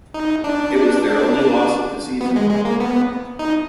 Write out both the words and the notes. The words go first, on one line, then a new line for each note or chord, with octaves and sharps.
It was their only loss of the season.
D#4
D4
B3
G#3
G#3
A#3
B3
D#4